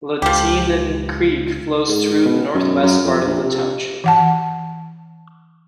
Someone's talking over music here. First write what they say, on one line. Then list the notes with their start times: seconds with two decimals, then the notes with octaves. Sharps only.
Lehtinen Creek flows through the northwest part of the township.
0.22 C#2 F3 G4
1.88 G#2
2.25 B2
2.54 F#2
2.83 F#2
3.05 F2
3.25 A#1
3.43 C3
4.04 E3 F#5 A5